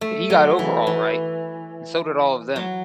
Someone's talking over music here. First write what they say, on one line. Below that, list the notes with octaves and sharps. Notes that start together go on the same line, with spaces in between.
But he got over all right; and so did all of them.
A3
F#3
E3
E3
F#3